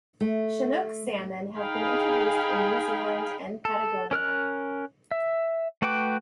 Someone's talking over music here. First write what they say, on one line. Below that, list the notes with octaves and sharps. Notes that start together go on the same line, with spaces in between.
Chinook salmon have been introduced in New Zealand and Patagonia.
A3
D#4 G#4 F5 G5 G#5 B5
A4
C#4 A#4 F6 F#6
E5
A3 F#4 B4 G5 D6